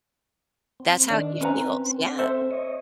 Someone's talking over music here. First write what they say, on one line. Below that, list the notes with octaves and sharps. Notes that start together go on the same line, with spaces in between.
That's how he feels. Yeah.
C4
D#3 D4
C4 C#4 B4 A#5
A4 C5 E5
C#5 D#5